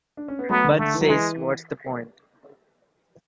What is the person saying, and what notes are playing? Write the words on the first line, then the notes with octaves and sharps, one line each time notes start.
Bud says What's the point?
D4
C#4
B3
F#3 A3 B3
D3
D3 A3
E3
F#3
E3 G#3